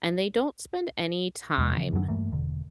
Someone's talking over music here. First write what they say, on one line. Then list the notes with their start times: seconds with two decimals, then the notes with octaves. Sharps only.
and they don't spend any time
1.58 E2 G2 C3 G#3
1.76 C#3 E3 F3
1.93 F#2 F#3
2.08 G2 E3 A3 A#3
2.32 E1 D3